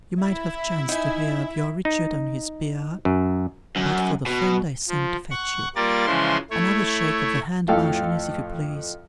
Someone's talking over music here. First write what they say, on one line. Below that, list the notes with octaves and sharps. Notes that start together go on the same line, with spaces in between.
You might have chanced to hear of your Richard on his bier, but for the friend I sent to fetch you. Another shake of the hand, Marchioness, if you please.
E4 E5
D#4 G#5
D#4
F#2
F#2
B2
F3
F#5 C#6
G3 A#3 F4 A#4 D5 A6
C#3 E3 F3 G#3 E4 C6
A3 E4 C#5
F2 A2 A4 F5 G5